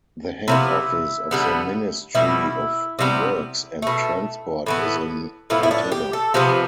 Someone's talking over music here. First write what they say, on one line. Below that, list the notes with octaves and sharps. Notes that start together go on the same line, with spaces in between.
The head office of the Ministry of Works and Transport is in Entebbe.
C3 F3 B3 E4
D3 G3 B3
B2 G3 B3 E4
C3 G3 B3
B2 A3
A2 E3 B3
A2 F3 B3 E4
E4
D4
G4
A4
C3 F3 B3 G4